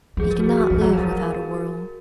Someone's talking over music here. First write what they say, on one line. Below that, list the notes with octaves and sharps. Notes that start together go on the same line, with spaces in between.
He cannot live without a world.
F3 G#4
A#4
F#4
G#4
F#4
F3 G#4
F#3
F3 A#4